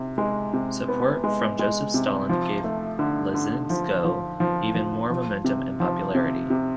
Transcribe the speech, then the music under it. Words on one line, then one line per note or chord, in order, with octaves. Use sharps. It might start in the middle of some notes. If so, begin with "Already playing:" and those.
Support from Joseph Stalin gave Lysenko even more momentum and popularity.
Already playing: C3
G#3
C3
B3
G#3
G#3
C3
F3
A3
D3
D3
F3
F3
F3
F3
F3
C3
F3
C3
C3